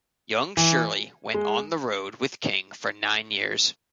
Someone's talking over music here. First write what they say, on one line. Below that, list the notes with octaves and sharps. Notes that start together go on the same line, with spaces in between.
Young Shirley went on the road with King for nine years.
E3
G#3